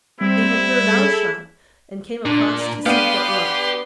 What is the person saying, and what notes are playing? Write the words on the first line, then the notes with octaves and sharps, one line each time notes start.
They had heard our shot, and came across to see what luck.
G3 C4 E4
G#4 A4
A#2 D4
B3 D4 G4 B4 F5 C6 D#7